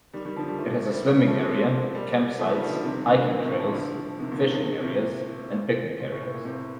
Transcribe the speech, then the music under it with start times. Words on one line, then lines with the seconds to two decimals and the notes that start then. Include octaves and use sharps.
It has a swimming area, camp sites, hiking trails, fishing areas, and picnic areas.
0.13 D#3 G3
0.25 D#3 G3
0.36 D3 F3
0.48 D#3 G3
0.59 F3 A3
0.80 A3
0.89 G3 A#3
1.15 G3 A#3
1.27 F3 A3
1.37 G3 A#3
1.49 A3 C4
1.94 G3 A#3
2.39 F3 A3
2.54 D#3 G3
2.65 G3
2.69 D3 F3
2.84 C3 D#3
3.07 A#2 D3
3.30 A#2
3.44 A2 C3
3.59 D3 F3
3.69 G3
3.74 D3 F3
4.20 C3 D#3
4.31 A#2 D3
4.42 C3 D#3
4.53 A#2 D3
4.65 A#2
4.80 A2 C3
4.95 A#2
6.00 A#2
6.12 A2
6.23 A2
6.35 A#2
6.45 A2 C3